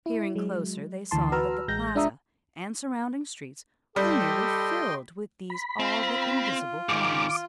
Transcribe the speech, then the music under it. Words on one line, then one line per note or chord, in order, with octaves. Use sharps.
Peering closer they saw that the plaza and surrounding streets were nearly filled with these all but invisible cars.
E4
F#3 G#3
D2 E3 A5 C6
F#4 B4 A#5 E6 F6
A1 G#3 G6 A#6
G#3 D4 F4 E5 A#5 D#6
G3 G4 A4 D#5 G5 C6
B5
C4 F4
G#2 D#3 D6